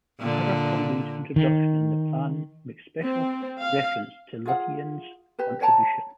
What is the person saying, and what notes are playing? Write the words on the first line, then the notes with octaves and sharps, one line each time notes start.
Abercrombie's introduction in the plan makes special reference to Lutyens' contribution.
A#2 D3
D#3
C4
F5
F4 G#4 F5 F#5
G4 B4
C#5 G5 A5 A#5